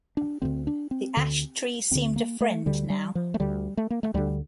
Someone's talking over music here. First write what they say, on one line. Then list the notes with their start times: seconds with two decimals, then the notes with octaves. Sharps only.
The ash-tree seemed a friend now.
0.17 D4
0.42 D2 D3 C4
0.67 D4
0.91 C4
1.17 D2 D3
1.91 D2 D3 C4
2.16 A#3
2.41 A3
2.66 D2 D3 G3
2.90 G3
3.15 F3
3.34 A3
3.40 D2 D3 G3
3.77 A3
3.90 A#3
4.03 A3
4.14 D2 D3 G3